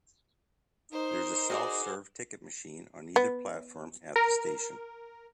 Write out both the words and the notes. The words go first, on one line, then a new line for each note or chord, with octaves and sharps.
There is a self-serve ticket machine on either platform at the station.
D#4 A#4 C5
F#4 G#4 D5
B3
A#4